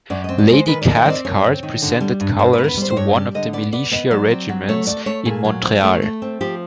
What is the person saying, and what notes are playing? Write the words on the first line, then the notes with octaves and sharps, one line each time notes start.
Lady Cathcart presented colours to one of the militia regiments in Montreal.
F#2 D5
C4 D#5
D5
G#3 C5
D#3 B4
D#3 D5
D#5
C4 D5
F#2 C#5
C4
D#3
D3
G3
G2
B3 C5
B3 B4
A#4
B4
G3 C5
C5
G2 C#5
G3 D5
D3 D#5
B3 D5
B3 D5
B3 D#5
F#3 D5
C4
F#3
A3 C#5
A3 D5
A3 C#5
A#2 G#4
F#3
C4
A3
A3
C4
F3 G4